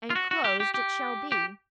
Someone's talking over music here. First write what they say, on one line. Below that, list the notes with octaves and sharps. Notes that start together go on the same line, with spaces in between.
And closed it shall be.
F4
F#4
F#4
G4
G4
G4
G4